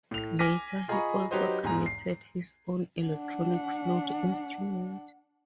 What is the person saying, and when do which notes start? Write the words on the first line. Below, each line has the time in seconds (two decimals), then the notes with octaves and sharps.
Later he also created his own electronic flute instrument.
0.11 A2 F7
0.39 G#5 D6 F6 A#6 B6 D#7
0.88 F4 G#4 D#5 A#5 B5 C#6
1.31 F#3 D#4 G4 B4 C5 D#5
1.63 E2 G#2 G#5 A#5
1.86 C7
3.04 D4 F#5